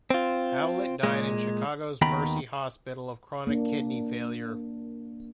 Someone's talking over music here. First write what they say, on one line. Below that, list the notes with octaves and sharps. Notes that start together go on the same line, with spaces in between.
Howlett died in Chicago's Mercy Hospital of chronic kidney failure.
C4 F4
A#2 G#3
D#2 D#3 B3 G5 A#5 B5
A#3 D4